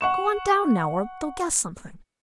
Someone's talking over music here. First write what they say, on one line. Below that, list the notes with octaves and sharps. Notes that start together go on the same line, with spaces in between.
Go on down now, or they'll guess something.
F#5 C#6 E7